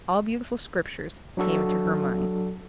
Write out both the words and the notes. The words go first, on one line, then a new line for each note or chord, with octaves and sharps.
All beautiful scriptures came into her mind.
F#3 D4 F#4 A4